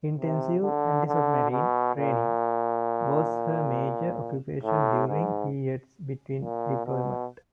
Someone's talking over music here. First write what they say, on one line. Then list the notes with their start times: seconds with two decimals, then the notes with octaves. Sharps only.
Intensive antisubmarine training was her major occupation during periods between deployment.
0.17 C3
0.62 D3
1.07 D3
1.51 B2
1.95 A#2
4.63 A2
5.07 G#2
6.41 A#2
6.86 B2